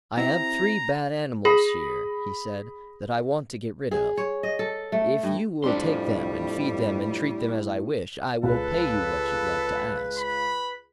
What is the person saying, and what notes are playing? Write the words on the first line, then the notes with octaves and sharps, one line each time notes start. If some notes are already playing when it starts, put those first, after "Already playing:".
'I have three bad animals here,' he said, 'that I want to get rid of. If you will take them and feed them, and treat them as I wish, I will pay you what you like to ask.'
C4 E4 G4 A#5
G#4 B5 D#6 A#6
G#4
C#5
D#5
A4
A3
G2
F2 A2 G3 C4 D4 C6
C#2 A4 B4
B5